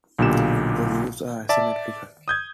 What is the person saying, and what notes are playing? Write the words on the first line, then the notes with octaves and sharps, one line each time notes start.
The leaves are asymmetrical.
B1 A#2 D3 G4 E7
D5 E5 A5
D#6 G6 G#6